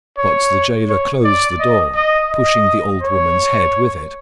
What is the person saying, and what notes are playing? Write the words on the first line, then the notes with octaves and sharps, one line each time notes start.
But the jailer closed the door, pushing the old woman's head with it.
C#5
C#5
D5
D#5
D#5
D#5
C#5